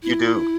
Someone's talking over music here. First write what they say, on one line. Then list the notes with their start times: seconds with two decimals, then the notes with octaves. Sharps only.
You do.
0.03 E4